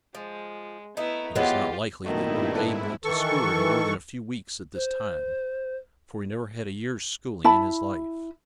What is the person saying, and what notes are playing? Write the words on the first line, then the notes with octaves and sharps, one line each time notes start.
It is not likely that little Abe went to school more than a few weeks at this time, for he never had a year's schooling in his life.
F3 G#3
A3 B3 D#4 E4
E3 F#3 G#3 B3 F4 G4
G2 A#2 D#3 F#3 A3 B3 C4 E4
G#2 D4 E4 A4 B4
D#3 E3 A4 C#6
C5
E4 A5 B5